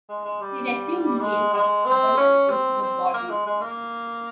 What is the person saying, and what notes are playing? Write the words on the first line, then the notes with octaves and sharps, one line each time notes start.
He resumed the name of Sutherland, instead of Gordon.
G#3
G#3
G3
G#3
G#3
C4
C#4
C4
C4
A#3
G#3
G#3
A#3